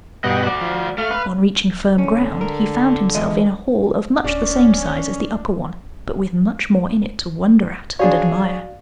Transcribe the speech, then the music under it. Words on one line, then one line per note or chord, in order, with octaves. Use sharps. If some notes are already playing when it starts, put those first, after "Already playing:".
On reaching firm ground he found himself in a hall of much the same size as the upper one, but with much more in it to wonder at and admire.
G2 B2 D#5 F#5 G5
F#4 D5
F3
A3 F5
B4
D3 C#4
A#4
E3 G#3 D#5
D1 C#4 D4
D4 F#4 G#4 C#5 D5 F5